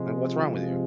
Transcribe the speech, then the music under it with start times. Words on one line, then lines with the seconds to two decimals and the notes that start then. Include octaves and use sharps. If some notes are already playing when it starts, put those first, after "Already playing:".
like, what's wrong with you?
Already playing: C3 F3 G#3
0.18 F4
0.45 C3 F3 G#3